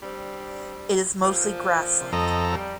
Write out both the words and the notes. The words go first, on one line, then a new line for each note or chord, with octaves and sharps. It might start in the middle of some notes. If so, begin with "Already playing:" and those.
It is mostly grassland.
G3 C4 D4
A#2 F3
F2 A4 D#5 A#5
G3